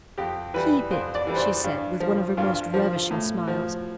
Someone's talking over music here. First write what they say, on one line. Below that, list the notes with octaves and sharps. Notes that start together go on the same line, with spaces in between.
"Keep it!" she said, with one of her most ravishing smiles.
F2 G4
E3 G3 B4
F2 C5
D5
E3 G3
C5
D5
G2
F3
G2 F4
F3
A2
F3